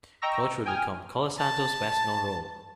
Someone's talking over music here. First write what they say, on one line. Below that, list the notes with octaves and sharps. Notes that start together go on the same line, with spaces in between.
Coach would become Colasanto's best known role.
D#5 G5 A#5 C#6 E6 A#6
G5 G#5 D#6 F6
A5